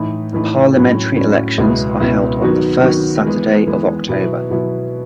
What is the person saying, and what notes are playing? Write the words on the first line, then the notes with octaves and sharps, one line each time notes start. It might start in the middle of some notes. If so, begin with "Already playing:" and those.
The parliamentary elections are held on the first Saturday of October.
Already playing: A2 E3 A3 D#4
A2 E3 A3 D#4
A2 F#3 C#4
A2 F#3 C#4
C#2 B2 G#3 B3 E4
C#2 B2 G#3 B3 E4
D#3 F#3 B3 F#4
D#3 F#3 B3 F#4
E3 G#3 B3
E3 G#3 B3
B2 F#3 B3 E4
B2 F#3 B3 E4